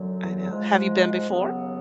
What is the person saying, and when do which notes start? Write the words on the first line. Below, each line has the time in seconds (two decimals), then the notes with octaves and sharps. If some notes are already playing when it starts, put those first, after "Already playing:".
I know. Have you been before?
Already playing: F#2 D3 F#3
0.51 G#2 F3 G#3
1.28 D#2 C#3 F#3 B3